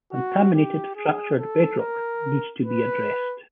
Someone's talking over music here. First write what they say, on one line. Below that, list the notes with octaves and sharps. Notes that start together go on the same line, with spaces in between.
Contaminated fractured bedrock needs to be addressed.
F#4
G4
G#4
A4
A#4
B4